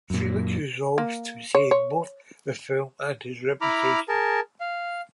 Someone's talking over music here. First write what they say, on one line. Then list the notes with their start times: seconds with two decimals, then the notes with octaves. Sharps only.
Felix resolves to save both the film and his reputation.
0.10 F#2 A#2
0.98 A#3
1.55 C#5
1.71 C#5
3.61 E4 A#5 B5 D6 F6
4.09 G#4 A#4 A5
4.60 F5